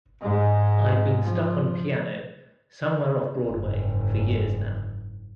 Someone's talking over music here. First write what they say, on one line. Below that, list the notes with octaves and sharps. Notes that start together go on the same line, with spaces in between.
I've been stuck on piano, somewhere off Broadway, for years now.
G#2 G#3
F3
F#1 G#2